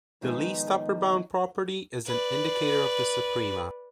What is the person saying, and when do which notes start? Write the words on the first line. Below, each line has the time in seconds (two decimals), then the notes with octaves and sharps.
The least-upper-bound property is an indicator of the suprema.
0.21 A2 D#3 F3 G#3 B3 D#4
2.06 B4 D5